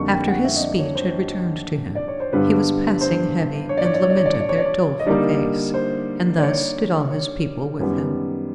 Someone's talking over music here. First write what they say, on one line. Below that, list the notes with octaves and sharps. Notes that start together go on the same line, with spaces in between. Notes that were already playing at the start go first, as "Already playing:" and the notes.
After his speech had returned to him, he was passing heavy, and lamented their doleful case, and thus did all his people with him.
Already playing: F2 D3 G3 A#3 D#4 C#6
G5
F#5
E5
D#5
D5
C#5
C5
D5
C#5
C5
G2 D3 G3 B3 B4
C5
C#5
D5
C#5
D5
C#5
D5
C#5
D5
C#5
D5
C#5
D5
C#5
D#5
D3 G3 A#3 D#4 D5
C5
D5
C#5
C#5
F#2 D#3 G3 B3